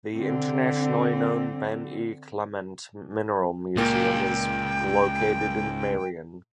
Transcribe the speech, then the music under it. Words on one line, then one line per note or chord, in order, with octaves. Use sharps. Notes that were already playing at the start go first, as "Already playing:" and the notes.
The internationally known Ben E. Clement Mineral Museum is located in Marion.
D3 C4
C#2 A#2 A#3 G5